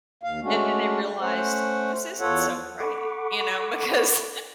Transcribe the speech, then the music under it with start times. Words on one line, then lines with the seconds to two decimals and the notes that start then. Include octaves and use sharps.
and then they realized, "This isn't so great," you know, because
0.23 D#2 F5
0.43 G#3 A3 C#4 D4 F#4
1.20 A3 C#4 C5 F#5
2.19 E2 F4 A4 C#5 F#5
2.80 A4 F#5 B5 C#6 D6